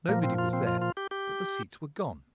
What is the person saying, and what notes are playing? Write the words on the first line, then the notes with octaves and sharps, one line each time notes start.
Nobody was there, but the seats were gone!
A#2 F3 A#3
C4
F4
C4
F4
F4
G4
G4